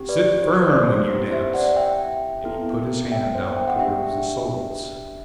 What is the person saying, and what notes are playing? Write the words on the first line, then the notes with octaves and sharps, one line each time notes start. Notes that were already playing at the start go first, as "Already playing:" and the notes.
"Sit firm when you dance"; and he put his hand out towards the soles.
Already playing: C4 G4
B4 D5
C5
B4 D5
C5
C4 E4 G4 B4
C5 E5
D5 F#5
E5 G5
B3 E4 A4
E5 G5
C5 E5
G5
F#5
D4 G4 E5 G5